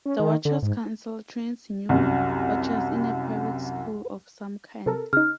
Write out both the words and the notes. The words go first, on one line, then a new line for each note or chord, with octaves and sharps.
The Watchers' Council trains new Watchers in a private school of some kind.
C#4
D#3
D3
G#2
C2 F#2
C3 A4 A#4
C#3 D#4 F6